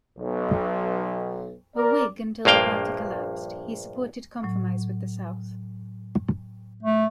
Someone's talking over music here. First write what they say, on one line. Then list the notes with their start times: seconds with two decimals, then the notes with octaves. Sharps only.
A Whig until the party collapsed, he supported compromise with the south.
0.18 B1
1.76 A#4 D5
2.45 A#1 G2 A#3 F5 G5
4.43 A2 F#3
6.83 A3